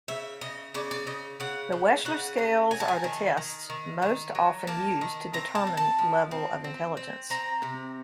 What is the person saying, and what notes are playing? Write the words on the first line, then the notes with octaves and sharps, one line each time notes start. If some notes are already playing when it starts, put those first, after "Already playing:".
The Wechsler Scales are the tests most often used to determine level of intelligence.
C#3 E5
C#3 D#5
C#3 D5
D5
C#3 D#5
C#3 F#5
C#3
C#3 F#5
F#3
F#3 G#5
A5
G#5
D#3
D#3
D#3
D#3
F#3
A#3 A5
D#3
C4 A#5
A5
C4
A5
F3
C4
C4
C4
C4 A#5
C3